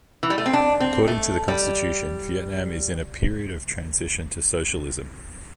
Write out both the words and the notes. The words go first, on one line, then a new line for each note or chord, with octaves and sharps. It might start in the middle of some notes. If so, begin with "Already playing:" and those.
According to the Constitution, Vietnam is in a period of transition to socialism.
E3
G3
A3
C4
D4
C4
A3
G3